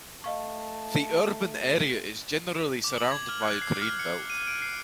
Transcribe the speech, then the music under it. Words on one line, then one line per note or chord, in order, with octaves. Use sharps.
The urban area is generally surrounded by a green belt.
A3 D#5 F5 A5 C#6
D6
F#7
G#6
F6
F#6
C7
F6
C#7
D#7
D7
C7